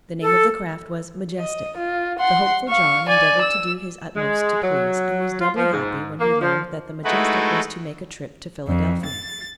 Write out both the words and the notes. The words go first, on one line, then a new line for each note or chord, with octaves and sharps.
The name of the craft was "Majestic." The hopeful John endeavored to do his utmost to please, and was doubly happy when he learned that the "Majestic" was to make a trip to Philadelphia.
A4
D#5
F4
F#5 C6
F5 C#6
D5 G#5
E6
G#3
F#3
F4
F3
G#2
A#3
F3
G#3 A3 D#4 E4 F#4 B4
F2
A6